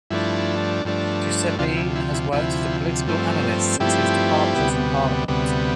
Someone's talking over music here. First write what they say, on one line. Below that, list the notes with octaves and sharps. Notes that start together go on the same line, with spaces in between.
Duceppe has worked as a political analyst since his departure from parliament.
G2 F3 A3 D4 E4
G2 F3 A3 D4
D2 C3 F3 D4 F4
E4
E4
E4
D2 C3 F3 E4
G2 F3 A3 C4
G2 F3 A3 C4 E4 G4
D2 C3 G3 B3
D2 C3 G3 B3